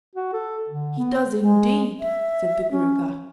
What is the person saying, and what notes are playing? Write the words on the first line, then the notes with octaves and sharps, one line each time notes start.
"He does indeed," said the Gruagach.
F#4
A4
D3
B3
G#3
E5
C#4